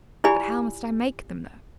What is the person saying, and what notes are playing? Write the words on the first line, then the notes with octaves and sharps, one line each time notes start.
'But how must I make them know?
E4 F4 G4 D5 G#5 B5